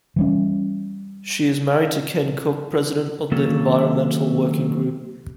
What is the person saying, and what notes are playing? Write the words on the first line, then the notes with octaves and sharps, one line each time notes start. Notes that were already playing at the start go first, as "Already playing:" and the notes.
She is married to Ken Cook, president of the Environmental Working Group.
E3 G3 C#4
D#3 F#3 A#3 C#4 A4